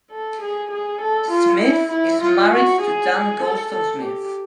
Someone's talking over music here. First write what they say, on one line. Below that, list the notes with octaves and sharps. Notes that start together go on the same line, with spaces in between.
Smith is married to Dian Goldston Smith.
A4
G#4
G#4
A4
F4
E4
E4
F4
F#4
G#4
A4
A4
G4